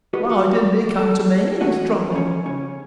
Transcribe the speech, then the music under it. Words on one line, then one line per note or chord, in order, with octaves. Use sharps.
"Why didn't he come to me in his trouble?"
F#4 G4 B4 D#5
F#4
A4
E3 A3 C#4 F#4 D#5
F3 C#4
C#3 C#4